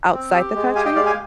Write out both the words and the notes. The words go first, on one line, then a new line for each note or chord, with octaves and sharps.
outside the country?
C4
G4
G#3
G4 F5 G#5
D#5 G5
G#3 D5 F5
F5 G#5